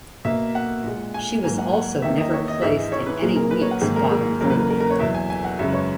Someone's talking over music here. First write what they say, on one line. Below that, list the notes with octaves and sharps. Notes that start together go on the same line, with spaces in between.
She was also never placed in any week's bottom group.
B2 A#3 E5
F#5
A#2 G#3
G#5
G#2 F#3 A#3 G#5
F#5
F#5
E2 D#3 A#3 E5
D#5
C#5
D#5
G#2 E3 G#3 E5
D#5
C#5
B4
A#2 F#3 A#3 G#4
A#4
B4
C#5
F#5
G#2 D#3 F#3 A#3 G#4
A#4
G#4
E2 C#3 F#3 A#3 A#4
B4
A#4
A#4
A#4
C#5
E2 B2 F#3 E5
G#5
G#5
F#5
F#2 C#3 G#3 E5
B4
C#5